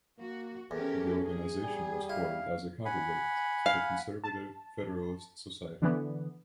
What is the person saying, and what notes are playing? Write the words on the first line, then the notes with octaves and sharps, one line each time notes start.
The organization was formed as a counterweight to the conservative Federalist Society.
A#3 F#4
E2 C#4 G4 A4 A#4
G#4
G3 G#5
E4 F5
F#5 G#5 B5
F5
A5
D3 E3 B3